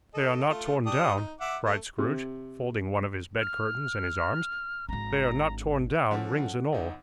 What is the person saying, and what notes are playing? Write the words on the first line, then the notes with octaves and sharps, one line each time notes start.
'They are not torn down,' cried Scrooge, folding one of his bed-curtains in his arms, 'They are not torn down, rings and all.
A4 D#5
A3 F4
D4 G4 D#6
D#4
E5 F#5 D6
A3
C3
F6
G#1 D4 A#5
F3 C#4 A4 F#5
G1 D#4